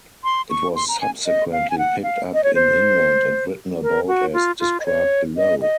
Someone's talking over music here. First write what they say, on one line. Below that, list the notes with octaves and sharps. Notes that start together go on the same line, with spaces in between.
It was subsequently picked up in England and written about as described below.
C6
C#6
C6
A#5
G#5
D#5
F5
G#5
F#5
F5
D#5
C#5
C5
A#4
F#4
F4
F4
D#5
C#5
D#5
D#5